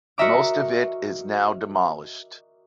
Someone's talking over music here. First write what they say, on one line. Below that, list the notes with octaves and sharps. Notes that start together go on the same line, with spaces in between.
Most of it is now demolished.
F#4 A#4 D#5 E5 A#5 D6